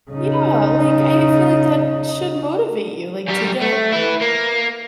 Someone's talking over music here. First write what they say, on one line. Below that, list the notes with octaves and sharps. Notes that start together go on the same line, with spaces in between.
Yeah, like, I I feel like that should motivate you, like, to get,
C#3 D#4
F#2 G3
A3
E4 B4
A#3